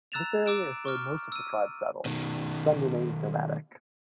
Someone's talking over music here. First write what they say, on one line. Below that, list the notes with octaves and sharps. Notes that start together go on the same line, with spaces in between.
This area is where most of the tribe settled; some remained nomadic.
A#5 E6 F#6 A6 E7 F7
D6 E6 D7 E7
C#6 D6 F6
E6 D#7
B2 D#3